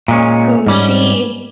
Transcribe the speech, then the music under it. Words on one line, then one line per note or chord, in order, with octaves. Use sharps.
who she
A#2 G#3 C#4
G#2 G3 C#4